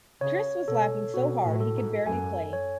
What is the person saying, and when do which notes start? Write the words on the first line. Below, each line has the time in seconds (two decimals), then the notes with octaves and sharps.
Chris was laughing so hard he could barely play.
0.21 C#3 C#5
0.67 B2 A4
1.13 B2 F#4
1.45 A2
1.61 A4
1.76 G#2
2.06 F#2 G#5
2.53 C#5